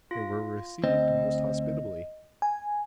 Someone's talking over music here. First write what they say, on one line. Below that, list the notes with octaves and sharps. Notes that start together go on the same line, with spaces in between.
They were received most hospitably.
F4 A#6
D2 C4 D#5
G#5